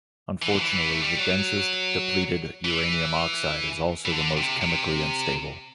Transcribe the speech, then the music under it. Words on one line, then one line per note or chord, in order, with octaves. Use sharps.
Unfortunately, the densest depleted uranium oxide is also the most chemically unstable.
E3
D3
E3
B3
A3
G3
F#3
E3
E3
D3
C3
C3